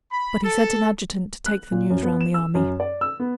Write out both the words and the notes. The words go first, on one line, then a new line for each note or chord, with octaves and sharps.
But he sent an adjutant to take the news round the army.
B5
A4
F#6
A#2
F#2
B3
E7
E6
F#2
D5
E6
B3